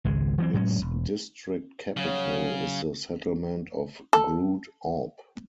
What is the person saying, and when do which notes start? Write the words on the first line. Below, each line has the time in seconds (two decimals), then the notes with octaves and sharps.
Its district capital is the settlement of Groot Aub.
0.05 G#1 C#2 G#3
0.38 E3 F#3 C4
0.54 A2 F#3 G#3 C#4
0.82 E1
1.97 C#3 F#3
4.13 A4